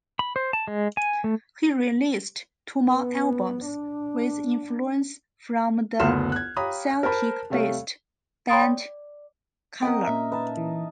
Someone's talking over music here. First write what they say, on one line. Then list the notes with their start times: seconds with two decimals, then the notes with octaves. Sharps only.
He released two more albums, with influence from the Celtic-based band Cunla.
0.19 B5
0.36 C5
0.53 A5
0.68 G#3
0.97 G#5
1.24 A3
2.85 B3
3.66 D4
6.00 F#1 D2 B3 C6 F6 E7
6.32 F#6 G#6
6.57 G4 C#5 F5 A#5 B5 D#6
7.03 A#4 C5 A5 B5
7.50 C3 G3 A3 C#5 F5
8.49 C#5 G5 B5 C6 D#6 A6
8.61 D5
9.82 C4 A#4 D#5 F#5 G5
10.07 A#2 A#3 C#4 E5
10.32 D#4 B4 A5
10.57 E3